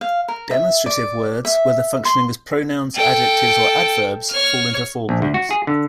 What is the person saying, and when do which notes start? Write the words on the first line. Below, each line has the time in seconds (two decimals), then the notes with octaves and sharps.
Demonstrative words, whether functioning as pronouns, adjectives or adverbs, fall into four groups.
0.01 F5
0.28 A#4
0.51 E5
0.86 D5
1.45 E5
2.05 C6
2.95 A4 G5
4.30 C#5 F6
5.09 A#1
5.22 D2
5.34 F#4
5.51 G#4
5.67 D3